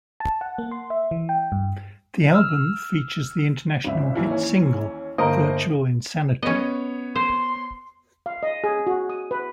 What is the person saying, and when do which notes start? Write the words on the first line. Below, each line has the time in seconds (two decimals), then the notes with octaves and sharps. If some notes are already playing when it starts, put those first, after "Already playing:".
The album features the international hit single "Virtual Insanity".
0.20 A5
0.41 F#5
0.58 A#3
0.71 C6
0.90 E5
1.11 E3
1.29 G5
1.52 G2
2.34 E6 F6
3.84 G#1 C#2 E5
4.16 D#2 E3
4.31 C#4
5.18 G1 A#3 A#4 C5 D#5 D7
6.42 B3 C#4 C#5 D#5
7.15 C5 C6
8.26 F5
8.43 D#5
8.64 G#4
8.87 F#4
9.10 D#6
9.31 B4